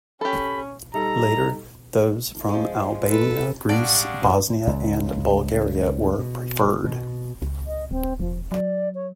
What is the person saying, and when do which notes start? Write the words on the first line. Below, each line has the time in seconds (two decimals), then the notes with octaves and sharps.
Later, those from Albania, Greece, Bosnia, and Bulgaria were preferred.
0.21 C#4 G4 A4 B5
0.94 G3 D#4 A4 A#5
2.49 F3 G#3
3.09 A4 B4
3.69 A2 G3 G#3 D4 D5 F5 F#5 C#6
4.67 C#2
6.19 B2
6.84 B2
7.42 C#2
7.67 D#5
7.91 D1 C4
8.20 E1 F3
8.52 F#3 D5
8.95 C#5